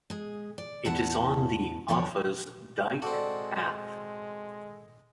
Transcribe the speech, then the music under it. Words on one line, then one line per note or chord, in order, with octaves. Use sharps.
It is on the Offa's Dyke Path.
G#3 G#4
D5
E2 A2 E4 F#5 A5
E2 D3 F3 D4 C5 C#5
G#3 C4 F#4 A4 D5